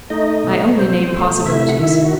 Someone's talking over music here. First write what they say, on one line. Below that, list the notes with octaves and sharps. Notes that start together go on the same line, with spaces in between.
I only name possibilities.
A3 D#4 D#5
B2
B2 C4 C5
A3
C3 E4 E5
F#5
D#3 E4 E5
F#4